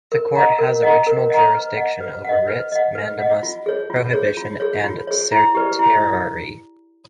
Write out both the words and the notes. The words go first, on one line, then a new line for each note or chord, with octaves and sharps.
The Court has original jurisdiction over writs of mandamus, prohibition, and certiorari.
A#4
D#5 F#5 A#5
A#4
D#5 F#5 A#5
A#4
D#5 F#5 A#5
B4
D#5 F#5
B4
D#5 F#5
B4
D#5 F#5
B4
D#5 F#5
F4
G#4 C#5
F4
G#4 C#5
F4
G#4 C#5
F4
G#4 C#5
E4
G4 B4 D5
E4